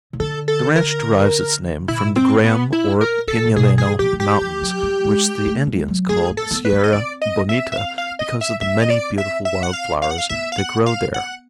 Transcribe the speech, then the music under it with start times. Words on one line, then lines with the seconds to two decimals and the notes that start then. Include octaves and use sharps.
The ranch derives its name from the Graham or Pinaleno mountains which the Indians called the Sierra Bonita because of the many beautiful wild flowers that grow there.
0.13 C#3
0.20 D3 A4
0.48 A4
0.76 A#4
1.88 A#2 E4
2.16 C4
2.44 B3
2.73 E4
3.01 A#4
3.28 A4
3.45 A#2
3.56 B2 G#4
3.77 E3 G#4
3.99 F3 G4
4.13 D#3
4.20 E3 G4
4.41 F3
4.61 F#3
4.83 G3
5.04 G#3
5.46 A3
5.67 G#3
5.88 F#3
6.09 A3 G#4
6.30 A#3
6.37 A4
6.51 B3
6.65 B4
6.72 C4
6.84 D#5
6.93 C4 D5
7.22 D#5
7.49 E5
7.72 E5
7.77 F5
7.98 F5
8.19 D#5
8.41 E5
8.61 C4 E5
8.82 D#5
8.90 D5
9.18 E5
9.45 E5
9.63 F#5
9.73 F5
10.02 F5
10.11 F#5
10.18 F5
10.29 B3 E5
10.52 F5
10.58 F#5
10.86 F5
11.14 F#5